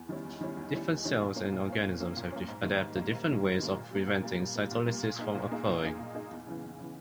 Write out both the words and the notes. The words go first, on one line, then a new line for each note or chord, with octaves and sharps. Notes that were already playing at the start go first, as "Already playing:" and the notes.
Different cells and organisms have adapted different ways of preventing cytolysis from occurring.
Already playing: E2
D#3 G3 C#4 E4
E2
D#3 G3 C#4 E4
E2
D#3 G3 C#4 E4
E2
D#3 G3 C#4 E4
A#2
A#3 C#4
A#2
A#3 C#4
A#2
A#3 C#4
A#2
A#3 C#4
G#2
D#3 G3 A#3
G#2
D#3 G3 A#3
G#2
D#3 G3 A#3
G#2
D#3 G3 A#3
A#2
G3 A#3
A#2
G3 A#3
A#2
G3 A#3
A#2
G3 A#3
A#2
A#3 D#4 G#4
A#2
A#3 D#4 G#4
A#2
A#3 D#4 G#4
A#2
A#3 D#4 G#4
E2
C#3 E3
E2
C#3 E3